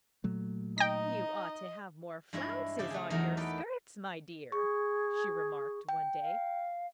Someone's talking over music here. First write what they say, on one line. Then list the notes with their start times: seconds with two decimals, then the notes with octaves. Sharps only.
"You ought to have more flounces on your skirts, my dear," she remarked one day.
0.24 A#2 F#3 A3
0.78 D#4 D#5 G5 A#6
2.33 G2 G#3 E4 C#5 E5
2.79 C#3 G4 A5
2.90 A3 G#4
3.10 E2 F#3 A3 D#4 A#4
3.37 G4 A4 B4 G5
4.52 G#4 C#6
5.89 G5
6.22 F5